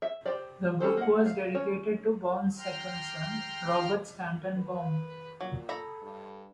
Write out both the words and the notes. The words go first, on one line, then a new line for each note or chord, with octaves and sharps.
The book was dedicated to Baum's second son, Robert Stanton Baum.
E5
G4 C5 D5
C#4 G4 A4 C5
A#3 F#5
F5
C#4 C#5
G5 A#5 C6 F6
B4
A#2 F#3
A4 A#5 B5
G2